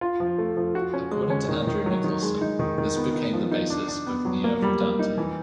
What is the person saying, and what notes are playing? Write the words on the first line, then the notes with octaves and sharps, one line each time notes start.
According to Andrew Nicholson, this became the basis of Neo-Vedanta.
F4
F3
A3
F3
F#4
C#4
G#3
C#4
D#3
D#3
F#3
D#3
G#3
D#4
D#3
D#3
B3
D#4
F3
D#4
D4
D4
B3
F#3
A#3
G3
A#3
D#4
E3